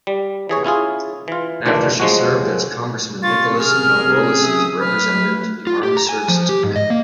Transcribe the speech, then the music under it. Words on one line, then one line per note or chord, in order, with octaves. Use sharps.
After she served as Congressman Nicholas Mavroules' representative to the Armed Services Committee.
G3
E3 G#4 C#5
C#4 E4 F4 G#4
E3 F4
D2 A#2 D#3 E3 A#3 D4
F3 F#3 G#3 C#4 F#4
C3 C#4 F4 G4 C#6 A6
G#4 A#4 F6
E5 D#6
F#3 A3 B4 F6
F4
G4
A#5
G#5
F3
G4
G#2
D#5
A#3